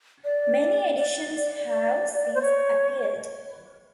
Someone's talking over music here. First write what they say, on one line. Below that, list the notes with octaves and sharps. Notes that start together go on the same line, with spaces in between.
Many editions have since appeared.
D5
D5
D5
C5
C#5